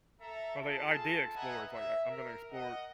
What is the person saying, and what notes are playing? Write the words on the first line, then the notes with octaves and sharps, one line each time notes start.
are they idea explorers? Like, I I'm gonna explore
A4 E5 A#5
F4 G#4 A4 A5
B4 D#5 E5 F#5 G#5 A#5
E5
A#4
D#5 F#5